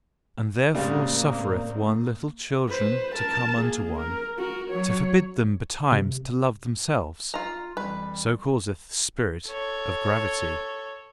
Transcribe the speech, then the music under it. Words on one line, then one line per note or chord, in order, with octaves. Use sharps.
And therefore suffereth one little children to come unto one, to forbid them betimes to love themselves--so causeth the spirit of gravity.
A2 C#3 G3 G#3 A#3 C4 D5 F5
B4 C5
A#4 A5
A#3 G#4
A#4
F#4 A#4
F#3 C#5
C3
F4 A#5
F2 E3 G3 B4
A4 C#5